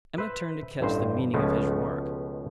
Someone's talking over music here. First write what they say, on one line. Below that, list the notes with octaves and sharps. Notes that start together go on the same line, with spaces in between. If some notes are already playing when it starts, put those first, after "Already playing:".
Emma turned to catch the meaning of his remark.
B4 C5 E5
A1 G2 C5
C#2 B2 F3 A3 B3